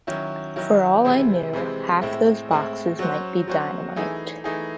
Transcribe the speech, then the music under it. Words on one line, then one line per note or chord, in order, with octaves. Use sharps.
For all I knew half those boxes might be dynamite.
D#3 F#3 C#4 E4
D#3 F#3 C#4 E4
C3 E3 G#3 C4
C3 E3 G#3 C4
A2 G#3 C4 E4
A2 G#3 C4 E4
F#3 C#4 F#4 C5
F#3 C#4 F#4 C5
E3 A3 D#4 G#4
E3 A3 D#4 G#4